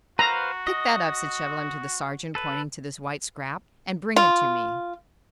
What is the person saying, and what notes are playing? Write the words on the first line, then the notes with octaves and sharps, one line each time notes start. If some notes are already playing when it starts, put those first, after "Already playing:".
"Pick that up," said Chauvelin to the sergeant, pointing to this white scrap, "and bring it to me."
F#4 B4 C5 F5 A#5
D#5
A4 B4
F4